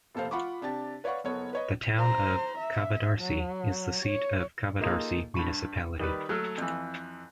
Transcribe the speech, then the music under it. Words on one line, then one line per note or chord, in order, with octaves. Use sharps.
The town of Kavadarci is the seat of Kavadarci Municipality.
F1 A#2 A4 C5 F5
F4 F#5 B5 C#6 D6
C3 D4 G4 A5 A6
B4 C#5 D5 F5 F#5 C#6
F#1 B3 A4 C#5
B4 C#5 D#5
C5 A#5
E5
F#3
C#5
A#3 D#4 F4 G#4 A4
G2 B5 C#6
D#3 G3 G4 B4
F#3 A3 A4 F6
F2 E3